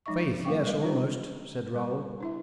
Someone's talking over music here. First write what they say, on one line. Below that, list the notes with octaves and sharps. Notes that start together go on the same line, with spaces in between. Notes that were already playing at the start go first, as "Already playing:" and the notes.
"Faith, yes, almost," said Raoul.
F3 G#3 D#4 D#5 E5 C#6
G3 A#3 F5 G5 C#6
G3 G#3 B4 D#5
C#4 D#4 F4 G4 C5
G3 A#4 B4 C#6
D4 E4 E5